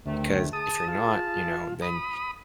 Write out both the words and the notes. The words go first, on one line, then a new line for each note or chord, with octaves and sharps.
'cause if you're not, you know, then
D2 C3 D#3 A3
G#4 A5 D#6
F4
B5 D#6